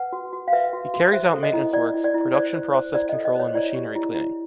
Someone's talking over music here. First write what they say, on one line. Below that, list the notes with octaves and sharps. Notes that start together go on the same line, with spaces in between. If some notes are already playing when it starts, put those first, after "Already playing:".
He carries out maintenance works, production process control and machinery cleaning.
Already playing: B4 F#5
F#4
F#4
F5
B4 E5
F#4
F#4
C5 E5
A4
D#5
E4
E4 D5
E4
D5
E4
C5 D5
C5
C5
E4 D5
A4 D#5
D#5
C5 C#5
E4 D5
G4
E4
E4